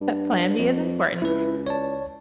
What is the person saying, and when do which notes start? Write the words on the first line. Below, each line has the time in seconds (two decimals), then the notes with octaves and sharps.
plan B is important,
0.01 G2
0.58 F2
1.22 C#2 E4 B4
1.67 C#5 D5 A5